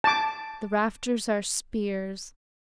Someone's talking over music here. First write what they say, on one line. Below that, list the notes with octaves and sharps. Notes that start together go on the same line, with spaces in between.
The rafters are spears.
A5 D6